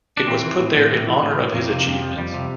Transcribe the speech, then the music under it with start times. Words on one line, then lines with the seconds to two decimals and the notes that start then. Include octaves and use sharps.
It was put there in honor of his achievements.
0.17 D4
0.27 E3 C4
0.43 E3
0.60 A2
0.76 A2
0.92 E3
1.07 E3
1.23 A2
1.39 A2
1.54 F2 A#3
1.70 C3
1.86 F2
2.02 F3
2.18 F2 G3
2.34 C3